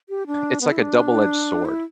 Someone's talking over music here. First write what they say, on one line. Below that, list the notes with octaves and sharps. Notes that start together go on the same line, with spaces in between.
it's like a double-edged sword,
G4
D4
B3
E4
D4
E4